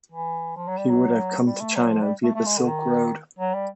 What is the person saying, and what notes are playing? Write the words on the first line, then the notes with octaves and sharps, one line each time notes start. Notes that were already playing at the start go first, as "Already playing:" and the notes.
He would have come to China via the Silk Road.
E3
F3
F#3
G3
F#3
G3
A3
F#3
F3
G3
A3
A3
G#3
D3
D#3
F#3
G3